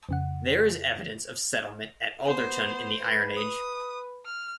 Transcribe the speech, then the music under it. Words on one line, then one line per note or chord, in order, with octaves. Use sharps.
There is evidence of settlement at Alderton in the Iron Age.
F2 C#3 F#5
B3 C5
B4
D#6
F6